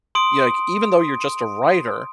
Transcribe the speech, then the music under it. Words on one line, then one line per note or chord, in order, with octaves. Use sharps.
y like, even though you're just a writer,
C6 D#6 D7